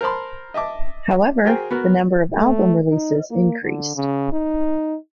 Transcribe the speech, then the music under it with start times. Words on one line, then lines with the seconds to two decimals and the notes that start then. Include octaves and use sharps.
However, the number of album releases increased.
0.01 A#4 C5 A5 B5 C6
0.54 D#5 E5 A5 D6
1.45 F#4 G#4 A#4 C5 G5 G#5
1.71 B3 F#4 A#4
2.36 A3
2.90 D#4
3.31 A#3
3.64 D3
3.96 C#3
4.33 D#4